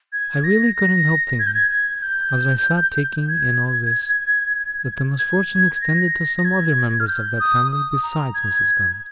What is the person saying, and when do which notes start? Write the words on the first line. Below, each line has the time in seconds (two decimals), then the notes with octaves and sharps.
I really couldn't help thinking, as I sat taking in all this, that the misfortune extended to some other members of that family besides Mrs. Gummidge.
0.13 G#6
0.44 A#6
0.76 A#6
1.39 G#6
1.47 G6
1.54 G#6
1.71 G#6
2.02 G6
3.29 G#6
5.19 G#6
5.75 G#6
5.81 A#6
6.37 A#6
6.45 G#6
7.00 F6
7.08 G6
7.40 D#6
7.71 D#6
8.03 A#5
8.34 G#6